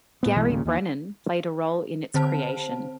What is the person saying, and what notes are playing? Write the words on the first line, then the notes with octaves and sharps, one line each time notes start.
Gary Brennan played a role in its creation.
A2 B3
B1 B2 E3 G#3
D#2 A#2 C#3
D#2
D3 C4 C5 A5